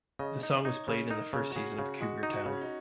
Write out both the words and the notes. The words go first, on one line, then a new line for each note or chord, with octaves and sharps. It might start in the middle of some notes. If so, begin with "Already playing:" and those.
The song was played in the first season of "Cougar Town".
C#3 D#5
D#4
D#4 C#5
C#3
D#4 A#4
C#3
F#4
C#3 G#4
C#3
G#3 F#4
D#4
F#4
C#3
C#4
D#4